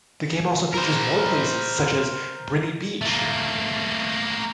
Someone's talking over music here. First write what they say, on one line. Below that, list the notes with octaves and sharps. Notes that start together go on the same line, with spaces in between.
The game also features more places, such as Briny Beach.
A#4 C5
A3 A#3